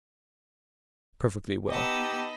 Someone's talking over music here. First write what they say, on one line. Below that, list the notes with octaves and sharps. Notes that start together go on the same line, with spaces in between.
"Perfectly well."
B3 D#4 G4 D#5 A5 B5 E6